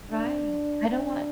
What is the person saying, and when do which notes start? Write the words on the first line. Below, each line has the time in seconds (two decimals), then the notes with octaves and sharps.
Right. I don't want
0.10 D4
0.89 D4